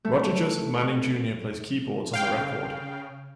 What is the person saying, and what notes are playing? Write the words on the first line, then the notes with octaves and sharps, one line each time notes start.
Roger Joseph Manning Junior plays keyboards on the record.
A3
C#3 F5 G5